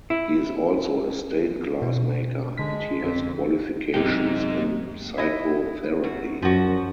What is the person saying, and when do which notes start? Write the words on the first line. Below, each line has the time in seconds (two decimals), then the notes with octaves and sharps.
He is also a stained glass maker, and he has qualifications in Psychotherapy.
0.10 E4
1.82 B2
2.58 D3 G#3 B6
3.01 F2
3.94 F#2 C3 G#3 D#4 G5
5.18 E4 D#5
6.04 F#2 F#4
6.42 F#2 F3 F#4